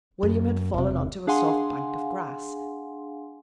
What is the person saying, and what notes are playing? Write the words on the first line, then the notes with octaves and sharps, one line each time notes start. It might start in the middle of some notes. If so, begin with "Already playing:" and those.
William had fallen on to a soft bank of grass.
F#2
E1 C3
D4 G#4 F5 F#5 G#5 C6